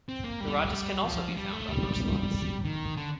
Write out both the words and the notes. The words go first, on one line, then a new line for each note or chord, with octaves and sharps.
Garages can also be found on most lots.
C4
A#3
G3
F3
G3
A3
G3
D#3
D3